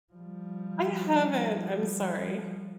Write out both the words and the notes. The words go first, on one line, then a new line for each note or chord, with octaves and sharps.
I haven't, I'm sorry.
F3 G3